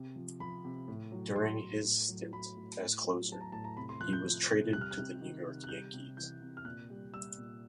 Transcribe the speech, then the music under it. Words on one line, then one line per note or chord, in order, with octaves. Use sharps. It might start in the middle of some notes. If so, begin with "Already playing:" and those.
During his stint as closer, he was traded to the New York Yankees.
Already playing: C3
F3
F3 B5
C3
A2
F#3
F#3 C6
A2
A2
F#3
F#3 B5
A2
A2
F#3
F#3 A5
A#5
A2 A5
A#5
C3 B5
C6
F3 F#6
G6
F3
C3
G3 F#6
F6
F#6
C3
D#3
C3
F#6
G3 G6
C3
E3 G6
C3
F6
A#2 F#6
G3
G3 E6
A#2